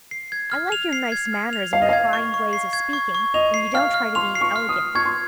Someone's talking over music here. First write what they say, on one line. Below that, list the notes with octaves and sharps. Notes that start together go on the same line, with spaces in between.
I like your nice manners and refined ways of speaking, when you don't try to be elegant.
C7
G#6
F6
F7
C7
G#6
F6
F7
F5 C7
D#5
F5 G#6
C#6
C#6
C7
G#6
C#6
C#6
D#5 F7
C7
F5 F6
F6
C6 F7
C7
C#6
F6
D#6
F6
C#6 G#6
C6